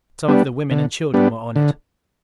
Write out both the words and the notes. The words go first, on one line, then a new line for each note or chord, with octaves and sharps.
Some of the women and children were on it.
G3 B3 D4
D3
G3 B3 D4
D3